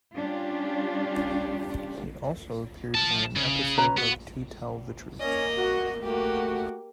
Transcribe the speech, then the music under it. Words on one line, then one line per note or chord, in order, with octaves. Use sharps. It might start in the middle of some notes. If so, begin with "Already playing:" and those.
He also appeared in an episode of "To Tell the Truth".
G3 C#4 D4 F4 G4
F4 A5
C#3
C#4 B4 A#5
B3 F#4
A#3 C#4 D#5
F#4
A3 A#3 F#4 G4